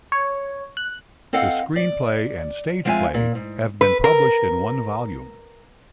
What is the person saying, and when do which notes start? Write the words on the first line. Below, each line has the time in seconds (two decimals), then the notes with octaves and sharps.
The screenplay and stage play have been published in one volume.
0.12 C#5
0.77 F#6
1.33 C4 A4 D#5 F5 F#5
1.76 D5
2.85 F3 G#3 C4 F4 E5 G#5
3.14 A#2
3.35 G#2
3.81 B4
4.04 A#4